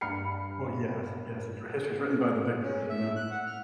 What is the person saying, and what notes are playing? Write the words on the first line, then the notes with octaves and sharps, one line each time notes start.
Well, yes, yes, it's history is written by the victors, you know.
G2 B5 F6 C7 C#7
C#4
E5
F#6
F#5
F6